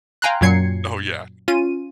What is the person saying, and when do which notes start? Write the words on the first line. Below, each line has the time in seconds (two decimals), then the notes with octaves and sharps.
Oh, yeah.
0.22 F5 G5 G#5 A#5 C6 F#6
0.41 F#2 A#2 F#3 G#6 C7 C#7
1.48 C#4 F4 D#7